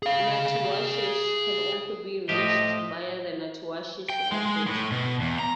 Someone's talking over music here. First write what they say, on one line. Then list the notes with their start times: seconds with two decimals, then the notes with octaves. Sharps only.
Natuashish can also be reached via the Natuashish Airport.
0.03 G#4 F5
2.29 A2 F3 G4 D#5
4.10 G5
4.32 G#3
4.46 G#3
4.67 A2
4.92 B2
5.21 E2
5.39 A#5